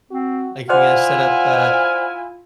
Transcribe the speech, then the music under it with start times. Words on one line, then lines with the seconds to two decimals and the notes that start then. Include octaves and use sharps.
Like you're gonna set up, uh,
0.11 C4 F#4
0.69 E4 F4 C5 D5 F#5 G#5 F6